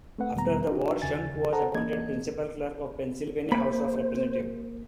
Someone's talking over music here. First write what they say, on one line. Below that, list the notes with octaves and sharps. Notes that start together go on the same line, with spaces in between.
After the war Shunk was appointed Principal Clerk of the Pennsylvania House of Representatives.
A3 C4 B4 F#5
E2 B2 D#3 G3 B3 A#5
D4 D#4 F#4
D#2 C#3 G#5 A6
A4 C5 F#5 A5 A#5
E3 A#3 D#5 G#6
A#3 C5 B5